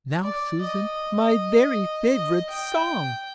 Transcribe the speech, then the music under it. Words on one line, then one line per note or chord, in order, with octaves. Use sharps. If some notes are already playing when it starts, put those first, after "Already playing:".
"Now, Susan, my very favourite song!"
D5
D#5
D#5
G5